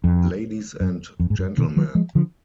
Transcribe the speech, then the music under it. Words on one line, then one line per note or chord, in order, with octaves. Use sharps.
Ladies and Gentlemen.
F2
F#2
F2
G#2
F#2
B2 D#3
D#3 F#3
F3 G#3
D3 F3